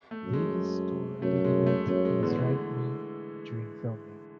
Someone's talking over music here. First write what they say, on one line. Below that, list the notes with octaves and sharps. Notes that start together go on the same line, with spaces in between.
Davis tore a ligament in his right knee during filming.
A3
F#2
G#3
F#2 A3
G#3
A3
F#2 A3
G#3
E2 D3
E3